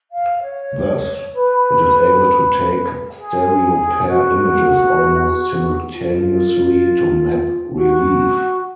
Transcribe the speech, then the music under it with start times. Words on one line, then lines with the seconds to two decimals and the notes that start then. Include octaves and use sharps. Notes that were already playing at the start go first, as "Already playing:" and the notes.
Thus, it is able to take stereopair images almost simultaneously to map relief.
0.11 F5
0.42 C#5
1.33 B4
3.16 G#4
4.08 F#4
5.91 F4
7.74 F#4